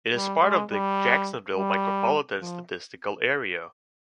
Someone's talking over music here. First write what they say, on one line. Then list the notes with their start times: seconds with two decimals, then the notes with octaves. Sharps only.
It is part of the Jacksonville Micropolitan Statistical Area.
0.15 G3
0.43 G#3
0.71 G3
1.55 G3
2.40 F3